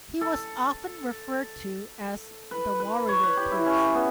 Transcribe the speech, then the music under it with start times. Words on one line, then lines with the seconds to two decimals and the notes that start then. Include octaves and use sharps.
He was often referred to as "the warrior-priest".
0.21 A4
2.51 B4
2.80 B4
3.09 C#5
3.24 B4
3.37 G4
3.52 E4
3.66 C#4
3.95 B3